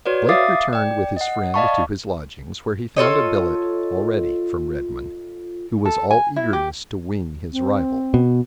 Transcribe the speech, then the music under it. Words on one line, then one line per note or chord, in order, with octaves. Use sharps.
Blake returned with his friend to his lodgings, where he found a billet already from Redmond, who was all eagerness to wing his rival.
F#4 B4 C#5 D5
E5 F5 D6 D#6 A6 C7
D5 G5
D#5 F#5
D5 D#5 F5 A5 B5 C#6
F4 A4 C#5 D#5
A4
G#5
E4
G4
C4
B2